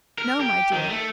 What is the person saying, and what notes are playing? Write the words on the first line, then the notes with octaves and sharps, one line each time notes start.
"No, my dear."
A#4
G4
D#3
A3